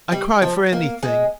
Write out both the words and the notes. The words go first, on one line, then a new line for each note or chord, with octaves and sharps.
I cry for anything.
G3
F3
A#3
G#3